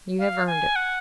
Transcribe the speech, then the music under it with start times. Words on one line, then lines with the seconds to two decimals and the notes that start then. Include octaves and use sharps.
You have earned it.
0.19 F5
0.47 G#5
0.76 F#5